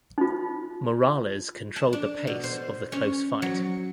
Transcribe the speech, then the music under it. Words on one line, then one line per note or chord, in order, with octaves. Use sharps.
Morales controlled the pace of the close fight.
D#4 F4
A5
D4
B2
C5
C#4
F#3